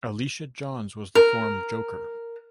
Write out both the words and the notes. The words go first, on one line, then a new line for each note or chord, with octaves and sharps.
Alicia Johns was the form joker.
A#4